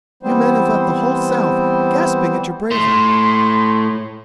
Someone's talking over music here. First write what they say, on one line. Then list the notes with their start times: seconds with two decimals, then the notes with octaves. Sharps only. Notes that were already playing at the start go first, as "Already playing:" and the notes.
You men have left the whole South gasping at your bravery.
0.23 E3 G3 B3 C4 C5
2.71 A2 C6